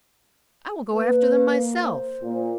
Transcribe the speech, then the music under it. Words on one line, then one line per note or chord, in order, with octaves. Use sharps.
'I will go after them myself.
A#3 B4
C5
A#2